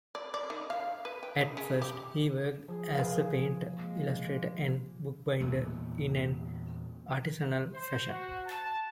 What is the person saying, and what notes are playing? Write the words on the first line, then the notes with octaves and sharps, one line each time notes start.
At first, he worked as a painter, illustrator and bookbinder in an artisanal fashion.
D5
D5
D#3
F5
B4
G5
D#3
C#3
G4
F3 G#4
A#4 B4 F5
G#3 A#3
E2 A#2 A3
C5
F#4
A5